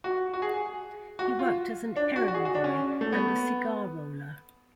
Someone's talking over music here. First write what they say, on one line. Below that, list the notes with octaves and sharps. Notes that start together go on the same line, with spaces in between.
He worked as an errand boy and a cigar-roller.
F#4
F#4
G#4
F#4
F4
D4
F#4
F#4
G#4
F#4
D4
C#4
A3
B3